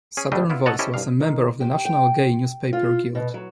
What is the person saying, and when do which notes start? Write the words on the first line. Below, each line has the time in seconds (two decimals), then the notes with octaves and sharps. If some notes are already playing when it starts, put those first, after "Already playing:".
"Southern Voice" was a member of the National Gay Newspaper Guild.
0.17 C#4 G#4
0.32 D2 G2 G3 A3 D4 D#5
0.50 B3 E4 F4
0.66 A4 C#5 D#5 F#5 A5 A#5
0.79 C#4 E4 G4 A4 C5 D#5
0.94 C2 G2 F5
1.20 D#3
1.60 G4
1.85 G5
2.73 F4
3.15 B2
3.34 F#3